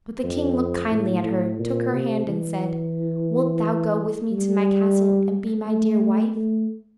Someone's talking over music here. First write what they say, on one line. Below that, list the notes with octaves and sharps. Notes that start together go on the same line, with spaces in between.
But the king looked kindly at her, took her hand and said, "Wilt thou go with me to my castle, and be my dear wife?"
F2
A2
A2
A#2
C3
E3
G3
A3
A3